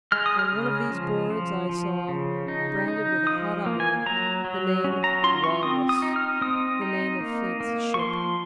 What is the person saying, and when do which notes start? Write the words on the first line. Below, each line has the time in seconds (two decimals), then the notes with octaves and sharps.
On one of these boards I saw, branded with a hot iron, the name WALRUS--the name of Flint's ship.
0.12 G#3 F6
0.26 D#6
0.39 F6
0.52 C#3
0.91 F3
1.30 F3
1.69 F3
2.09 C#3
2.48 D#4
2.88 D#4
3.27 F3 D#6
3.66 A#3
3.80 G#5
4.06 F#3 A#5
4.45 F#3
4.84 C#4
5.04 A#5
5.24 F4 C6
5.44 C#6
5.63 C4 D#6
5.89 D#6
6.02 D#4
6.16 F6
6.41 C4 D#6
6.82 D#4
7.20 A#3
7.60 A#3
7.94 C#6
7.99 F3 C6